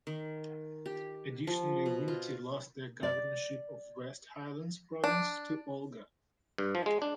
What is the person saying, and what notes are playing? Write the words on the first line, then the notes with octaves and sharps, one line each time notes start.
Additionally, Wingti lost the governorship of West Highlands Province to Olga.
D#3
G4
F3
B2
F4
D5
D4
G2
F3
G#3
D4